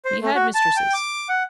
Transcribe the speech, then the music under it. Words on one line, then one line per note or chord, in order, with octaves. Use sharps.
He had mistresses.
C5
A3
F#4
A5
G5
D6
F#5